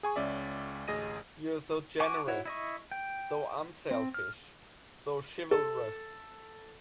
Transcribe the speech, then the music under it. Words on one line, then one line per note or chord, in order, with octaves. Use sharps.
You are so generous, so unselfish, so chivalrous.
G#4 G#5 C#6
C#2 C#4 D5 E5
A1 D2 G#4 D#5 A#6 D#7
F#4 G#5 C#6 D6
E4 F#4 C#5
E4 D#5 C#6
G5
C4
F6
A4